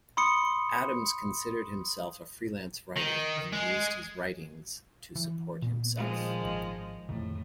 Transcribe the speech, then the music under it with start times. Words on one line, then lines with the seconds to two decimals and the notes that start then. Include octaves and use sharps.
Adams considered himself a freelance writer and used his writings to support himself.
0.17 B5 C6 D#6 C#7
2.97 D#3
3.53 G#3
5.15 E3
5.62 A#2 B3
5.95 D#3 F3 G#3
6.44 G#1
7.09 F2 A2 D#3